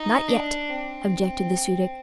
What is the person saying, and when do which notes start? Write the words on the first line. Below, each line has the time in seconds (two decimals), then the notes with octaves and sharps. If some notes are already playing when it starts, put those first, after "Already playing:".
"Not yet," objected the Su-dic.
Already playing: D#4
0.28 D4
0.70 C4